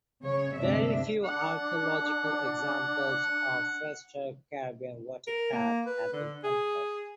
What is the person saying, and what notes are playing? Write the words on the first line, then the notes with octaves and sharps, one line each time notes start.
Very few archaeological examples of prehistoric Caribbean watercraft have been uncovered.
C#3 C#5
D2 G2 C3 G#3 D4 E5
D4 F#5
A#4
A#3
B4
D3
G#4